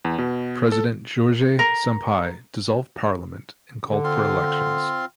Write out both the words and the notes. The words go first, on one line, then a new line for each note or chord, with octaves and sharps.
President Jorge Sampaio dissolved Parliament and called for elections.
E2
B2
A4
A#4
D3
C4 F4 C6